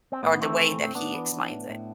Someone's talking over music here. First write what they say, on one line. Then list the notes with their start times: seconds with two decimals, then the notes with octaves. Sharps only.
or the way that he explains it.
0.12 C4
0.23 A2 B3
0.41 E3 A3 C4
0.60 E3
0.78 A2
0.83 C4
0.95 A2 B3 D4
1.14 E3
1.32 E3
1.51 A2
1.69 A2